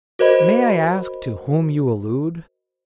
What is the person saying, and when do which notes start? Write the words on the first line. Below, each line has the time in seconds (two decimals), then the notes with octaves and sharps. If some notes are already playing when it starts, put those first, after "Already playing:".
May I ask to whom you allude?
0.19 F#4 A#4 C5 D#5 B5